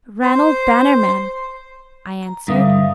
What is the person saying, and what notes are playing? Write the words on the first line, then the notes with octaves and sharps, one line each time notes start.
"Ranald Bannerman," I answered.
C5
A#5
G2 D3 E5 F5 D#6